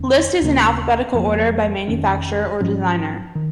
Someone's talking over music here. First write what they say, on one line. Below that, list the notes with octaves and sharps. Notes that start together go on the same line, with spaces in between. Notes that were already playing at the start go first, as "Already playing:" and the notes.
List is in alphabetical order by manufacturer or designer.
Already playing: F2 D#3 C#4
D#2 C#3 A#3
F2 F3 A#3
F2 D#3 C#4
G#2 F3 C#4
D#3